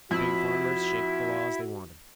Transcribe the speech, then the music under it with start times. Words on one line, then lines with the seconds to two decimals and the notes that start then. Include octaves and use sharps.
The big farmers shaped the laws they wanted.
0.11 F2 E4 F#4 B6